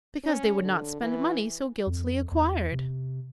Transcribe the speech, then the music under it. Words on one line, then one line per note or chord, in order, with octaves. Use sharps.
"Because they would not spend money so guiltily acquired."
C#4
D3
E3
F2
E2
C3